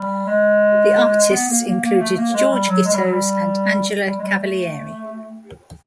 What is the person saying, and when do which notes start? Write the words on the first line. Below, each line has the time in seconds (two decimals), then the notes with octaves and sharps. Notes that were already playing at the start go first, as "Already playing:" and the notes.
The artists included George Gittoes and Angela Cavalieri.
Already playing: G3
0.27 G#3
1.31 B3
1.48 A#3
1.64 A#3
1.82 A#3
1.99 A3
2.17 A#3
2.34 G#3
2.51 G3
2.69 F#3
2.85 G#3
2.93 G3
3.02 F#3
3.11 G3
4.05 G3
4.18 G#3
4.23 G3
4.40 A3